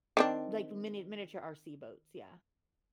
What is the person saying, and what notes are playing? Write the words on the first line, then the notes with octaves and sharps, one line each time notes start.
Like mini miniature RC boats, yeah
D#3 C4 D4